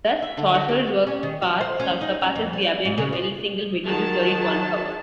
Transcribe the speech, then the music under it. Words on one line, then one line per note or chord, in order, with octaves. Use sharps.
Thus Chaucer's work far surpasses the ability of any single medieval theory to uncover.
E5
D3
F#4
G4
C#4
D#3
F#4
C5
C#4
D#4
C#4
F2
G3
G#2
C#3
F3
D#3 F#3 G#4 A5